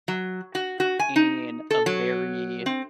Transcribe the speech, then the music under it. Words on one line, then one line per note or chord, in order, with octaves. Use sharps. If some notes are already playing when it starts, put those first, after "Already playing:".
in a very
F#3
F#4
F#4
G#5
D#4
A4
F#3
C4